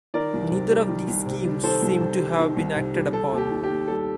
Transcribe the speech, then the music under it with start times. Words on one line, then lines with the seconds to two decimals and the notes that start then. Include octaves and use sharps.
Neither of these schemes seem to have been acted upon.
0.14 D#3 A#4 D5
0.34 C2
0.51 C3
0.71 G3
0.89 D#3
1.08 C2
1.26 C3
1.45 G3
1.63 D#3 A4 C5
1.82 C2
2.01 C3
2.19 G3
2.39 D#3
2.57 C2
2.76 C3
2.95 G3
3.12 G3 A4
3.32 D#2
3.38 G4
3.51 D#3
3.63 G4
3.69 D#2
3.88 G3 A4